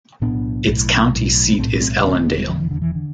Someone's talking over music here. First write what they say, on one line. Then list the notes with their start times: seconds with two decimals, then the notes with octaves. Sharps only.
Its county seat is Ellendale.
0.21 B1 A2 B3 D4
0.67 B1 A2
1.13 B1 A2
1.53 B3
1.58 B1 A3 C4
1.62 A2
1.74 B3
1.81 A3 C4
2.04 E1 E2 D3 B3 D4
2.15 A3 C4
2.26 B3 D4
2.38 G3 B3
2.49 E1 E2 D3 F3
2.60 E3
2.71 D3
2.82 E3
2.95 D3